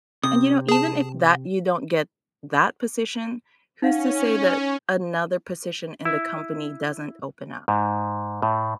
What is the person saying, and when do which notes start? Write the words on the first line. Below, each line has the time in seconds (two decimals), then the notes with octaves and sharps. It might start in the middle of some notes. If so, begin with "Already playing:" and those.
and you know, even if that you don't get that position, who's to say that another position in the company doesn't open up?
0.23 C3 D#6
0.69 G#4 A5
3.82 C#4 D#4 F5 F#5
6.05 E4
7.68 G#2
8.42 A2